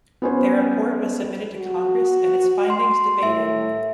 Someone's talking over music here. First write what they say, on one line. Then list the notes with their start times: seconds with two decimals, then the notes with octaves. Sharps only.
Their report was submitted to Congress and its findings debated.
0.22 B3 C#4 C5
1.57 F#4
2.70 C6
3.23 A2 E5